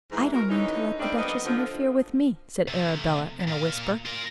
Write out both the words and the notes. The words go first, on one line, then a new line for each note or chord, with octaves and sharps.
"I don't mean to let the Duchess interfere with me," said Arabella in a whisper.
G#2 E3
C4 D#4 F#4 A#4
D3 E3 C#4 D#4
D#3 G3 A3 C4 D4 D#4
F3 G3 A#3 B3 D#5
D3 F3
C3 A3
A#2 F5
F4 A#4